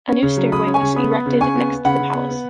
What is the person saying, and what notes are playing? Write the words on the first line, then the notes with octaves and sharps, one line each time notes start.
A new stairway was erected next to the palas.
C#4
C#3
F#3
C#3 B5 D#6
C#4
G#5 C#6
C#3
B3 B5 D#6
B3
C#3
C#3 G#5 C#6
B3
B3
C#3 F#5 B5
C#3
B3
B3